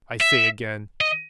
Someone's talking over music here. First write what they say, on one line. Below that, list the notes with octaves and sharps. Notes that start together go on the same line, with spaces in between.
I say again.
E5
D#5